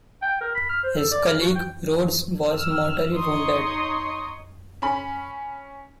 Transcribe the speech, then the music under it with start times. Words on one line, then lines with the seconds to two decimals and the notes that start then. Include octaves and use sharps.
His colleague Rodes was mortally wounded.
0.22 G5
0.41 A#4
0.55 B5
0.69 F6
0.83 C5
0.96 A4
1.11 D5
1.27 A#4
1.40 F#4
1.55 G5
2.52 E6 F6
3.13 D#4 C#5 C6 C#6 D#6
4.82 C#4 B5